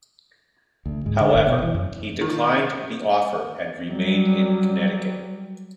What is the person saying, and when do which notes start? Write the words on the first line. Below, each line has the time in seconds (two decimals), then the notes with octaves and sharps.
However, he declined the offer and remained in Connecticut.
0.86 D2
1.06 G#2
1.21 D3
1.35 G1
1.47 B2
1.62 E3
1.74 F#2
2.21 D#3
3.89 F#3 G3